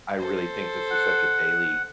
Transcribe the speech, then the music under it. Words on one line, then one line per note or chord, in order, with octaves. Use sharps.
I really think this is such a daily
A4 C5
F#5